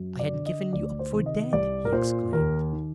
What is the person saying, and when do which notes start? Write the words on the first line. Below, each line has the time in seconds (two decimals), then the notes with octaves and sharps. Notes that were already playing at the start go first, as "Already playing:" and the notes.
"I had given you up for dead," he exclaimed.
Already playing: F#2
0.19 D5
0.33 D3
0.46 D#5
0.73 D2 D5
0.99 C5
1.13 C3 D#3
1.26 D#5
1.53 C2 D5
1.85 A#4
1.93 A#2 C5
2.33 D#2 A#4
2.73 D#3